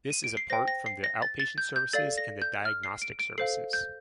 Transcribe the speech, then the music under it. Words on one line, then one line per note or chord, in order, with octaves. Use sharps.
This is apart from the outpatient services and the diagnostic services.
D#7
D7
C7
C5 G5 A#6
A#6
C7
A#6
A6
A6
G6
G6
A4 D5 F5 A6
A#6
G6
F6
C7
D7
D7
A4 C5 F5 C7
G6